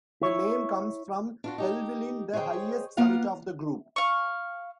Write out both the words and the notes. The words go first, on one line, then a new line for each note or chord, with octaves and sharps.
The name comes from Helvellyn, the highest summit of the group.
E4 C#5
D4 F4 F#4
D#4 G4
G#4 C5 C#5 D#5 G5
A#3 B3 F4 F5 F#5
F5 C#6